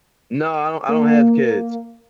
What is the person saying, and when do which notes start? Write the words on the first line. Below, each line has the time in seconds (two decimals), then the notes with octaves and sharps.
No, I don't I don't have kids.
0.89 A#3